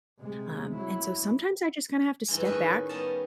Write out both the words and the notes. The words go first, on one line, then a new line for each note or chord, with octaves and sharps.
um, and so sometimes I just kinda have to step back
C3 G#3
F#3 E4
G2 E3 G#3
A2 D#3 C#4 D#4 B4 D#5
G3 B3 G#4 D#5 F5 A5